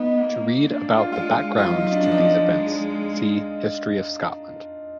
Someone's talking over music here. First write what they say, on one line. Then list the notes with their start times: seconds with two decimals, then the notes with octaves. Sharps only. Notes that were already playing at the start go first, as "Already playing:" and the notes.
To read about the background to these events, see History of Scotland.
Already playing: B3 D#4
0.21 A#3
0.66 A#3 D4
0.97 F4
1.12 G#3 F4
1.58 F#3 F4
1.69 D#4
1.80 D#4
1.92 D4
2.03 F3 D4
2.11 D#4
2.20 D4
2.49 G#3